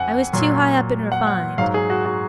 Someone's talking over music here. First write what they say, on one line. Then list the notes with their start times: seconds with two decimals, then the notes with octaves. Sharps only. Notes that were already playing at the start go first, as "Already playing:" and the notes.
I was too high up and refined.
Already playing: F2 F#5 G#5
0.33 A#2 F#3
1.12 F#5
1.27 F#5
1.58 G#2 F#3 F5
1.74 G#4
1.90 F#4
2.05 F#4